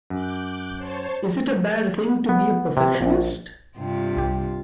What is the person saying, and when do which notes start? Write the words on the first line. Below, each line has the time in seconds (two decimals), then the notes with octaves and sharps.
Is it a bad thing to be a perfectionist?
0.10 F#2 D6 F#6 G6
0.76 C5 C#5 A5
2.29 B3
2.77 C3
3.01 A#1
3.78 G2 C3 F4
4.16 C2 G4